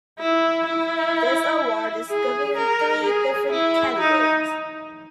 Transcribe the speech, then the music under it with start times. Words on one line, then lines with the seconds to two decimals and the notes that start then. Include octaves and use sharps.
This award is given in three different categories.
0.19 E4
0.66 E4
2.09 G#4
2.56 A#4
3.04 G#4
3.52 E4
3.98 D#4